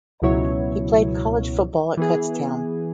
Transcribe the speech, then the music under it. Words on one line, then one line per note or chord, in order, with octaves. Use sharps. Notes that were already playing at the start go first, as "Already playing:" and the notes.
He played college football at Kutztown.
C#2 B2 F#3 E4 C#5
E3 B3 G#4